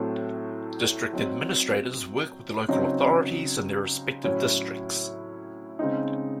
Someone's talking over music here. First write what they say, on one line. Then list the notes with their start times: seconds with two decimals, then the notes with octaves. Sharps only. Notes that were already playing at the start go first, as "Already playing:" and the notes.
District Administrators work with local authories in their respective districts.
Already playing: A2 F#3 A3 C4
1.13 F#3 C4 D#4
2.68 C#3 F#3 C4 D#4
4.24 A2 F#3 C#4 E4
5.79 C#3 G#3 C4 D#4